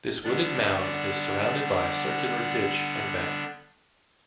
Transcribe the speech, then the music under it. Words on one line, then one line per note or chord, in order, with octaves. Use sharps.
This wooded mound is surrounded by a circular ditch and bank.
D3 G3 B3 D4 D5 F#5